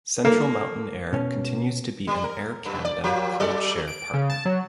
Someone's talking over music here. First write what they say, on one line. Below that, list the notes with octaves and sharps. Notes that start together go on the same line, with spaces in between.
Central Mountain Air continues to be an Air Canada Code Share partner.
A#3 A4 A#4
B2 C#4
G3
A#4
F#2
D5
F3 A#3 G4
F#3 A4 D5
D7
C#3
A5
F#3